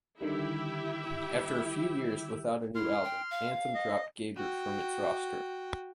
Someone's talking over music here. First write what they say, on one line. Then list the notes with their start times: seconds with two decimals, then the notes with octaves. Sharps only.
After a few years without a new album, Anthem dropped Gabor from its roster.
0.21 D3 D#3 G3 E4 G4 E5
2.75 E4 C6 F6
3.04 G5
3.31 F5
3.75 D#5
4.37 F#4 G5